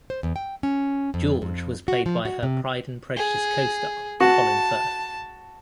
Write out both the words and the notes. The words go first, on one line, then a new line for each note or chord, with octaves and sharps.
George was played by her "Pride and Prejudice" costar Colin Firth.
C5
E2
G5
C#4
F2
F2
F#4
F3
F#4
C3
G#4
F#4 A5